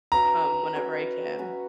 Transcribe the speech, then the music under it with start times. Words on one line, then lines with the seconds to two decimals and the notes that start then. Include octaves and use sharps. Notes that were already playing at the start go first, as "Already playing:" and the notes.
um, whenever I can.
0.12 C#4 F#4 B4 E5 A#5
0.75 C#4 F#4 B4 E5
1.39 C#4 F#4 B4 E5